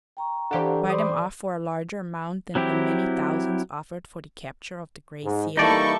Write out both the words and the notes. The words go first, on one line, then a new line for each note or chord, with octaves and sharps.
Buy them off for a larger amount than the many thousands offered for the capture of the Gray Seal?
G5 A#5 C#6
E3 D4 G4 A4 C5 F5 F#5
C5 D5 B5 D6 D#6
F#3 C4 E4 G4
G#2
E3 G3 A#3 D#4 E4 A4 D5 C#6